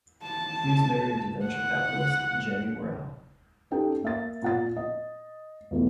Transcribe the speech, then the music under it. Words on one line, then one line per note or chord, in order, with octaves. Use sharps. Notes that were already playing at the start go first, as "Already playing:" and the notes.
He is married to venture capitalist Jenny Morel.
A5
F#5
C#4 D#4 G4 A4 G5
A#3 E5 A6
A#2 F#5 A6
D#5
B1 E2 A3 B3